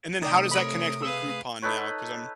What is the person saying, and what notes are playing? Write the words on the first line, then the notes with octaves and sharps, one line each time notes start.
and then how does that connect with Groupon now, 'cause I'm
C3 A3 D#4 D5 G5 D#6
A#4 C#5 B5
G#4 B4 F5 E6
D#4 A4 B4 C#5